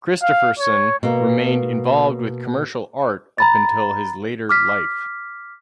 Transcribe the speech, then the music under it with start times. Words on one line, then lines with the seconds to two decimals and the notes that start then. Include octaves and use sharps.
Christopherson remained involved with commercial art up until his later life.
0.22 F5
0.59 C#5
1.03 B2 A#3
3.38 A#5 B5 A6
4.49 D6 F6 B6